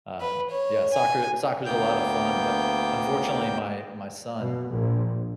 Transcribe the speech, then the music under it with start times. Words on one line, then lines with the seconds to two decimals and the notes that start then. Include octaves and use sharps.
uh, yeah, soccer soccer is a lot of fun, but, unfortunately, my my son,
0.21 B4
0.51 C#5
0.93 G#5
1.66 D2 A#3 B3 G5 G6
4.39 B2
4.71 A#1